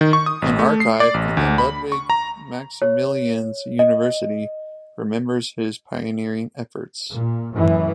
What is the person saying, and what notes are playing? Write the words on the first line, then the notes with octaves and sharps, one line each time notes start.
An archive in the Ludwig Maximilians University remembers his pioneering efforts.
D#3
C#6
D#6
A1
A3
C7
D5
A1
D2
B5
C#6
A#5
C#5
D#5
A#2
F#2 A2 E3